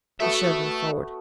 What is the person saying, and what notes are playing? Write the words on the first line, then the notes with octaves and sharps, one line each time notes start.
He shoved me forward.
A3 B3 F#4 A4 E5